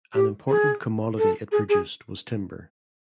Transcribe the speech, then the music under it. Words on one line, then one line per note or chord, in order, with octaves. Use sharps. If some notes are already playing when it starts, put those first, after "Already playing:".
An important commodity it produced was timber.
G4
G#4
A4
G#4
G#4